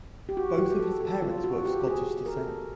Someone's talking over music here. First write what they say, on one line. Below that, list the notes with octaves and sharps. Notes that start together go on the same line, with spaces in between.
Both of his parents were of Scottish descent.
G4
F#4
G4
A4
A4
F4
F#4
G4
G#4
A#4
A4